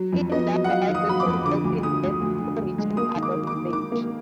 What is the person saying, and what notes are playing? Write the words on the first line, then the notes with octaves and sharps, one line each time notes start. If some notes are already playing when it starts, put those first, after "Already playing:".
In larvae, this results in death before reaching the adult stage.
Already playing: F#3
F2
B3 D#5
F#3
F#5
F#3 F5
D#3
D#6
F#3 B5
D6
F2
D3 D6
D2
D3 D#6
D2
D2
D3
D2
G#3
A#3 D#6
D#3
D6
D#3
D6
D#3
D#3 D6
A#3